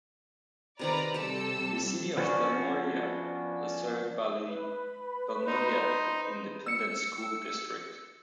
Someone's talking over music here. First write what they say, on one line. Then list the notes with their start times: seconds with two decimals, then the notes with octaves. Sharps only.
The City of Balmorhea is served by the Balmorhea Independent School District.
0.79 C3 D#3 C4 B4 D5 A#5
1.14 C3 G3 G4 A4 D5 A5 E6
2.17 F3 B3 C#4 D4 F#4
4.46 B4 B5
5.46 D#4 C5
6.66 E6 C#7